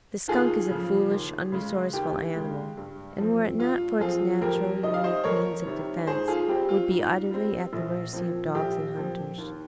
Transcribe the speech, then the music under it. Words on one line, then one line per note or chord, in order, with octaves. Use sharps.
The skunk is a foolish, unresourceful animal and were it not for its natural, unique means of defense, would be utterly at the mercy of dogs and hunters.
D#2 F4 G#4
C#3 F3
D#2
C#3 G#3
D#2 G4
C#3 G#3
G2
F3 C4
G2 F4
F3 C4 F4 G#4
F2 G4 A#4
C3 D#3 G3 D#5
F5
C5 D#5
F2 A#4 C#5
C3 D#3 G3
G#2 G#4 C5
F4 G#4
G3 C4 G4
F4
G#2
G3 C4
A#1
A#2 F3 C4
A#1 G4
A#2 F3 C4
D#2